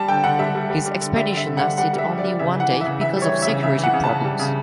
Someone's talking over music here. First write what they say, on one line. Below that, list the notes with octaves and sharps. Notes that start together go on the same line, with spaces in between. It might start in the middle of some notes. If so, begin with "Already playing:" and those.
His expedition lasted only one day because of security problems.
Already playing: G3 A5
D3 G5
D3 F#5
G3 E5
G3
G3
G3
D3
G3 E5
D3
E5
D3
G3 F#5
G3 F#5
G3
E5
G3
D5
G3
C#3 E5
E3
F#5
E3
C#3 E5
E3 E5
G3
C#5
E3
C#3 E5
C#3 E5
E3
F#5
C#3
A5
C#3
G3
C#3